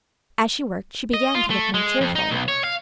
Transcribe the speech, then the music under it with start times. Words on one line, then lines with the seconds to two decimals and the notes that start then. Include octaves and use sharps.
As she worked she began to look more cheerful.
1.14 D#5
1.35 F4
1.50 A3
1.74 G#3
2.01 F2
2.15 D#4
2.31 B1
2.48 C#5
2.64 F5